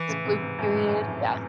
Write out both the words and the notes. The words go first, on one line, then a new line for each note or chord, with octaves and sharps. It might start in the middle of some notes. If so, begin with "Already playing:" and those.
His Blue Period, yeah.
Already playing: E3
A2 C#3
G#2 C3
G#2 C3
F#2 A2
G#2
A2
G#2
F#2